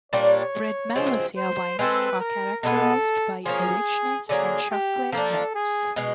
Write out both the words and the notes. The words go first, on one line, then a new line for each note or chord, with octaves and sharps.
Red Malvasia wines are characterized by a richness and chocolate notes.
A#2 G3 A#3 D4 C#5
C#3 F3 G#3 C4
C5
G#3 C4 E4 A4 B4
A#4
B2 G#3 B3 A4
F3 A#3 C#4 G#4
D3 F#3 A#3 G#4
G4
F3 A#3 D4 A4
G#4
B2 G#3